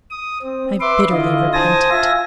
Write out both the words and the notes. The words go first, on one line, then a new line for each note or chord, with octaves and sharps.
I bitterly repent it.'
D#6
C4
B4 E5 C6 D6
D3 E4 F4 D#5
C5 G#5 A5 D#6 A#6
F4 E5 G#5 A#6